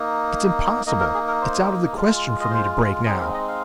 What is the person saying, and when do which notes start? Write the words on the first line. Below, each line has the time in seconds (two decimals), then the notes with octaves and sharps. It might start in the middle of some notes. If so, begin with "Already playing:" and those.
It's impossible; it's out of the question for me to break now!'
Already playing: A#3 D#4
0.87 A#3 D#4 D#5
1.00 A#4
1.14 G#4
1.28 A#4
1.41 C5
1.97 G#3 F4
2.41 D#5
2.51 C5
3.06 G#3 C4 D#4 G#4
3.21 A#4
3.34 D#5
3.48 F5